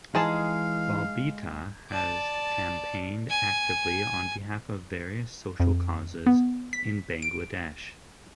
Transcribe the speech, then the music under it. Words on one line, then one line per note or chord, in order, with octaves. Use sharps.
Bobita has campaigned actively on behalf of various social causes in Bangladesh.
E3 G#3 D#4 G#4 F5 A5
D5 A5
G#5
F2
B3
B6
D7